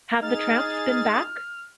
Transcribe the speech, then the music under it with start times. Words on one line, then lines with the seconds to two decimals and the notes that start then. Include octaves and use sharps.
Have the tramps been back?
0.23 D#4 G#4 F6 A6